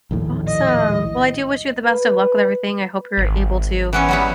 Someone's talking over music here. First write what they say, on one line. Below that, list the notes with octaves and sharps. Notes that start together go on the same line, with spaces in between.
Awesome. Well, I do wish you the best of luck with everything. I hope you're able to
A#1 D#2 A2
D#5
B4
G#1
E3 B3 C#4
F#3 G3 B3